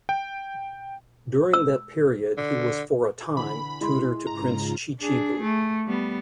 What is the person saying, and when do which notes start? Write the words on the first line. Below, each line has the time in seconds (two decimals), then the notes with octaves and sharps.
During that period he was for a time tutor to Prince Chichibu.
0.09 G5
1.53 E6
2.37 D3
3.37 D3 E3 B5
3.81 G#3 E4 C6
4.27 G#2 C#3 F4 A#5
5.00 D4 G#4
5.41 A3
5.86 G3 B3